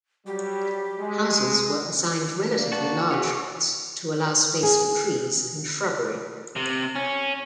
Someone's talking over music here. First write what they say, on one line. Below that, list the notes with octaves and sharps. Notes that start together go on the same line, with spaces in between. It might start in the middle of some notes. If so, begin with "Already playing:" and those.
Houses were assigned relatively large lots to allow space for trees and shrubbery.
F#3 G3 G4
G#3
A#3 D4
F#4 A5
F#4 G#4 B4 C#5
G#4
C3
C#4